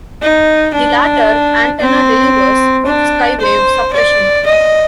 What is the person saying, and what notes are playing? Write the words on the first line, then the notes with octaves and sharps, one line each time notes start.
The latter antenna delivers good skywave suppression.
D#4
D4
C4
D4
C5
D5
D#5